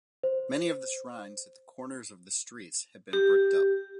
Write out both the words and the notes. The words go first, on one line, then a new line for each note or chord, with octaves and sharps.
Many of the shrines at the corners of the streets had been bricked up.
C5
G4